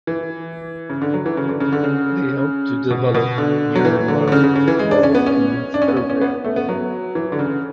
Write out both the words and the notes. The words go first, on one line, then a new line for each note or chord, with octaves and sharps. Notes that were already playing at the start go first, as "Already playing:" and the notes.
They help to develop Myanmar Football and Youth program.
E3
C#3
D3
F#3
E3
C#3
D3
C#3
D3
C#3
B2
B2
D3
F#3
E3
D3
D3
C#3
C#3
C#3
E3
G#3
D4
C#4
B3
C#4
D4
C#4
B3
C#4
C#4
B3
A3
B3
F#3
E3
D3
C#3